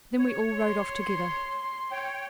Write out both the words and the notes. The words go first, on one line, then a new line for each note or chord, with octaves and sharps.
Then we all rode off together.
C#5
C6
C#5 G5